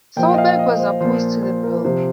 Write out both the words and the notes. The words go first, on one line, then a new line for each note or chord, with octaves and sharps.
Solberg was opposed to the bill.
A#2 F3 G5
D#5
F5
D#5
C5
A#2 F3 C5
C5
A#4
C3 F3 C5